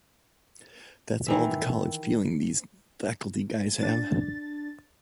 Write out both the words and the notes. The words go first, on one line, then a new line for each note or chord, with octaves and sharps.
That's all the college feeling these faculty guys have.
D#3 E3 E5
D4 A6